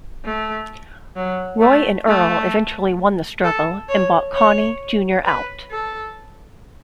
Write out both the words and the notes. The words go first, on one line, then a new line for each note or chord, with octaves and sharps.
Roy and Earle eventually won the struggle and bought Connie, Junior out.
A3
F#3
A3
A3
A4
C#5
C#5
B4
A4